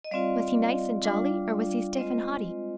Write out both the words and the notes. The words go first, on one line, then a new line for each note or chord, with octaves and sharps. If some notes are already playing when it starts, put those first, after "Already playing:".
Was he nice and jolly, or was he stiff and haughty?
D#5
G3 C4 F4 D5 F5
G3 D4 F4
G#3 C4 F4 C5 D#5